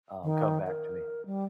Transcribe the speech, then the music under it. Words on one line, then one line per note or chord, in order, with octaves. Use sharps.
um, come back to me.
D#3
A#4
G3